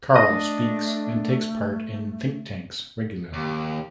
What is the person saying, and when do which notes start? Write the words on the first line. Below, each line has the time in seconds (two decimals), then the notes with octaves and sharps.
Karle speaks and takes part in think tanks regularly.
0.16 A3 D4 D#5
3.33 D#2